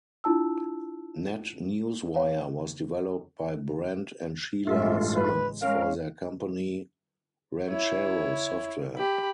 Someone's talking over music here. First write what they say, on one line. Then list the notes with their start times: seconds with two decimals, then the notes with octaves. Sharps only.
NetNewsWire was developed by Brent and Sheila Simmons for their company Ranchero Software.
0.24 D4 E4 F4 A5 E6
2.16 C#5 F5
4.67 A1 G2 G#3 A3 F4 E5
5.15 B4
5.62 G#3 C#4 A#4 F5
7.66 E4 C#5
8.98 G4 B5